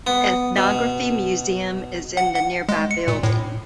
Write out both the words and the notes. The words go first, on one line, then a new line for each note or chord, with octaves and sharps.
Ethnography Museum is in the nearby building.
B3
B2
F#5
F#5
G#3
C#7
A#2
A2